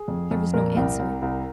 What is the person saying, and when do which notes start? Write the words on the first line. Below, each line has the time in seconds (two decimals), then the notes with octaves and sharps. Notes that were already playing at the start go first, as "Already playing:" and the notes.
There was no answer.
Already playing: G#4
0.08 F2
0.31 F2
0.54 A#2 A#4
0.77 C2
0.99 C2
1.22 C2